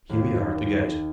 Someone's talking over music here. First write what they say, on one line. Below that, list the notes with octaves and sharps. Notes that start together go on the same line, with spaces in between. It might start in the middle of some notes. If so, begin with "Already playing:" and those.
Here we are at the gate.
D#2